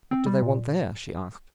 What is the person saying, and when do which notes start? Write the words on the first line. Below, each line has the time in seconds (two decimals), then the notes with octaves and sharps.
"What do they want there?" she asked.
0.11 C4
0.26 G3
0.42 A#2